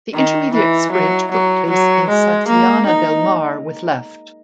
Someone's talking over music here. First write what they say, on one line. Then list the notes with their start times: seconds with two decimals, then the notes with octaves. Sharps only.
The intermediate sprint took place in Santillana del Mar with left.
0.14 D#3
0.53 E3
0.92 F#3
1.32 F#3
1.69 F#3
2.09 G#3
2.48 A#3
2.86 D#4